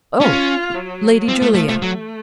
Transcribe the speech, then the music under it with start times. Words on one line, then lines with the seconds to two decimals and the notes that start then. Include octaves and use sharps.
"Oh, Lady Julia!"
0.21 C#4 F4
0.74 F#3
1.28 F3 C4
1.42 A3
1.55 A3
1.69 A3
1.82 F#3 A3